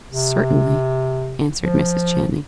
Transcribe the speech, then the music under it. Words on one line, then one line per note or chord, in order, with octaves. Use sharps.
"Certainly," answered Mrs. Channing.
C3
F3